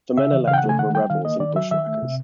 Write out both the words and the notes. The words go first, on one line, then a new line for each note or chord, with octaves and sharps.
The men elected were rebels and bushwhackers.
C#3 E5
E3
C#3 F5
G5
F#5
A3
G#5
D#3 F#5
G3 G5
D#3 F5
A#3 D#5
D#3 D5
F#3 E5
D#3 E5
A3
C3